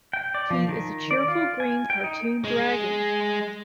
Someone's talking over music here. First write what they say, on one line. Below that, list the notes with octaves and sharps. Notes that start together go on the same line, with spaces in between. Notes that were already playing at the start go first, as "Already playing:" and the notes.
He is a cheerful green cartoon dragon.
G5
D5
F3
D#3
D5
F4
G#5
G5
D#4
G#3